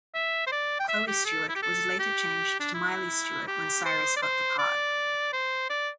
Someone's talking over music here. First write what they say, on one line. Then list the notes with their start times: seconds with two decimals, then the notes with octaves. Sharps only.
Chloe Stewart was later changed to Miley Stewart when Cyrus got the part.
0.14 E5
0.47 C5
0.52 D5
0.79 G5
0.88 E5
1.07 G4
1.25 A4
1.49 E4
1.55 G4
1.62 A4
1.99 G4
2.60 D4
2.74 E4
3.47 G4
3.85 C5
4.16 D5
4.22 C5
4.59 D5
5.33 C5
5.70 D5